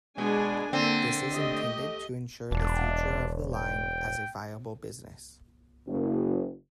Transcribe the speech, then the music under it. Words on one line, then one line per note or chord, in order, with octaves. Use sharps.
This is intended to ensure the future of the line as a viable business.
B2 G#3 D4 G#5
D3 A#3 C4
A3 G4 D#5
E1 D4
G5
F#1